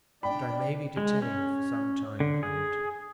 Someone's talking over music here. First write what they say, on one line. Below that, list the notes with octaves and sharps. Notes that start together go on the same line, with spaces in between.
But I may be detained for some time, Clement.
D4 D5 G5 B5
G#3
C#4
D3
G#4